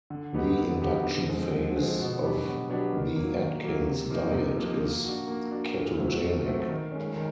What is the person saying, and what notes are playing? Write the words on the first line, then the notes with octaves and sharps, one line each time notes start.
The induction phase of the Atkins diet is ketogenic.
D3
F#3 B3 D#4 G4
D3
F#3 B3 D#4 G4
D3
F3 G#3 C4
D3
F3 G#3 C4
B2
F#3 B3 D4 G4
B2
F#3 B3 D4 G4
D#3
F#3 A#3
D#3
F#3 A#3
C3
F3 A#3 D#4
C3
F3 A#3 D#4
A#3
D4 F#4
A#3
D4 F#4
A#2
F#3 A3 C4
A#2
F#3 A3 C4
D#3
G#3 C#4
D#3